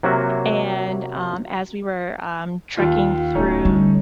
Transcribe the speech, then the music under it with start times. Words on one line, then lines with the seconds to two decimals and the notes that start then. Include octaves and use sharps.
and, um, as we were, um, trekking through the
0.03 C3 F#3 A#3 F#4 E5
2.77 D#2 F4
3.35 D1 A3 C#4 D#4
3.65 D3 G3